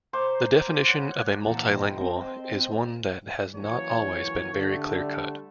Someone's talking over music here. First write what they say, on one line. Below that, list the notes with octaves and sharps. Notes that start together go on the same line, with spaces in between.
The definition of a multilingual is one that has not always been very clear-cut.
C5 A#5 D6
C#5 F#5 F#6
A#2 E3 F5 F#5 A5 A#5
C5 D#5 G5
C4
E3 F#3 A#3 C#4 C#5
D3 G3 A3